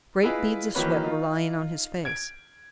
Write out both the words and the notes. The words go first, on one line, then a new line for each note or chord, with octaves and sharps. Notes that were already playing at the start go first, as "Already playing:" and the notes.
Great beads of sweat were lying on his face.
E4 F4 G#4 B4 D#5
D#3 E3 F#3 A#3 B4 C#5
D#4 F4
G#6 D7